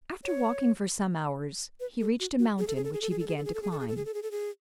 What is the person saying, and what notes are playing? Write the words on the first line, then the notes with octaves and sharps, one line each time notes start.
After walking for some hours he reached a mountain, which he began to climb.
C#5
B4
A4
F#4
F#4
G#4
A4
G#4
A4
G#4
A4
G#4
A4
G#4
A4
G#4
A4
G#4
A4
G#4
A4
G#4
A4
G#4
A4
G#4